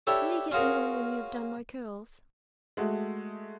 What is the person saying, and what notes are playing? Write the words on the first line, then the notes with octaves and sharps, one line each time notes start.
"Will you get me one when you have done my curls?"
D4 E4 G4 A4 C#5
C#4 F4 F#4 G#4 A#4
G#3 A3 F#4